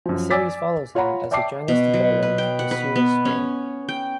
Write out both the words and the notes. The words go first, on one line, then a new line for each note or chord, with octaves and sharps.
The series follows him as he journeys to Berlin to pursue his dream.
F#2 F3
D5 G#5 D6 E6 A6 B6
F4 C#5 F#5 A#5 B5
D5 E5 G5 A5 D6 C7
B2
F#3
B4
G5
F#5
B4
B3
C#4
G5